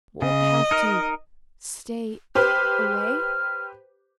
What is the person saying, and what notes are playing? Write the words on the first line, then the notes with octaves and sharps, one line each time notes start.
"Won't have to--stay--away!"
C#3 D#5
D#4 A#4
G4 B4 C5 F6